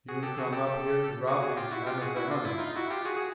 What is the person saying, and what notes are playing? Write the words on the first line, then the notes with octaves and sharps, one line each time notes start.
You come up here to rob these men of their money.
F#4 G#4
G4 A4
F#4 G#4
G4 A4
G4 A4
F#4 G#4
F#4 G#4
F4 G4
E4 F#4
F4 G4
F#4 G#4
E4 F#4
F4
E4
D#4 F4
E4 F#4
F4 G4
F#4 G#4
F#4 G#4